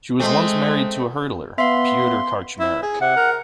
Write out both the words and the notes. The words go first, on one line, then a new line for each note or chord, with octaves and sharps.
She was once married to a hurdler, Piotr Karczmarek.
G#3 A3 C4
B3 E5 F5 C6
E4
G#4
C3 F#5
A#4